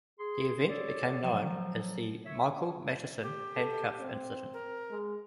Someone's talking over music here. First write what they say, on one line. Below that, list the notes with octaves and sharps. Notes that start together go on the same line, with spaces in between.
The event became known as the "Michael Matteson Handcuff Incident".
G#4 C6
F#4 G#4 A4 C#5 D5
F3 F#3
C#5 E5
G4
A4
C4
A#4
G#3